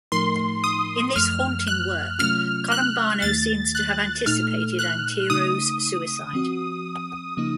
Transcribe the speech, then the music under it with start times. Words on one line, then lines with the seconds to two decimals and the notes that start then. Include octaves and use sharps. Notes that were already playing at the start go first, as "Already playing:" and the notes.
In this haunting work Columbano seems to have anticipated Antero's suicide.
0.12 A2 F3 A3 D#4 A#4 C6
0.64 D#6
1.15 F#2 F3 A3 F6
1.67 F#6
2.19 C3 F#3 A3 C#4 F4 F6
2.72 F#6
3.22 D#2 D#3 A3 A6
3.75 F#6
4.26 A#2 A3 D#4 A4 F6
4.79 F#6
5.30 C#3 A3 D#4 D#6
6.33 F3 C4 F#4
7.37 C#3 F3 A#3 D#4